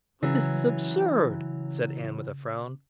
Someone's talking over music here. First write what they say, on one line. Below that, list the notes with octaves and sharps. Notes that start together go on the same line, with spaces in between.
"But this is absurd!" said Ann with a frown.
C#3 E3 F#3